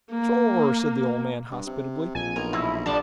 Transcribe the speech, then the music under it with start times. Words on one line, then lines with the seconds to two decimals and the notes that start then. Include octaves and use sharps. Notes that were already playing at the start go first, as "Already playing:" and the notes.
"Shore!" said the old man hospitably.
0.11 A#3
1.51 G2
1.66 C3
2.15 A#1 F2 G#5
2.36 B1 A#4
2.53 B2 E4
2.86 D3 F3 G3 D4 A5